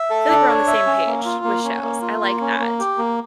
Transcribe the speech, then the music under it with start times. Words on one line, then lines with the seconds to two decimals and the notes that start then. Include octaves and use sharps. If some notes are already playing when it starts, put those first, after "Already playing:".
I feel like we're on the same page with shows. I like that,
Already playing: E5
0.10 A4
0.29 D4
0.48 C#5
0.67 E5
0.87 C#4
1.06 A#3
1.25 F4
1.44 A#3
1.64 C#4
1.83 A#3
2.02 F4
2.22 A#3
2.41 C#4
2.60 A#3
2.79 G4
2.98 A#3